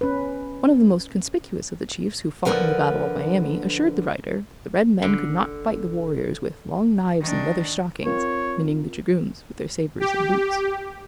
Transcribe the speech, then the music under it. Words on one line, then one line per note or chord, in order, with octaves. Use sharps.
One of the most conspicuous of the chiefs who fought in the battle of Miami assured the writer, that the red men could not fight the warriors with "long knives and leather stockings"; meaning the dragoons with their sabers and boots.
C#4 B4
D3 F3 A#4 B4 F#5
F1 D3
D#3 D4
C4 F4 A#4 C#5
G4